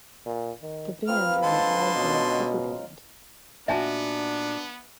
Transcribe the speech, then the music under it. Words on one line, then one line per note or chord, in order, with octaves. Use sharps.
The band is an all-girl cover band.
A#2
D#3
A#3 C4 F4 B4 F6
D3 G#3 A5 C6
B2 C#4 D#5
A#2 B3 D4 D#4 F#4 E5 G#5 A5